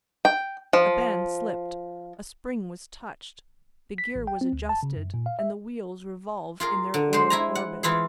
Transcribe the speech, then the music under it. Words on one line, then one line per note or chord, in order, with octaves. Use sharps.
A band slipped, a spring was touched, the gear was adjusted and the wheels revolve in their old orbit.
G5
F3
B6
A1
G5
C4
D2
A5
C#3
F#2
A#2
F5
E5
F4 G#4 A#4
D3
G#3 C5
E4 G#5 A#5
F#5
E3 E4 F4 G#4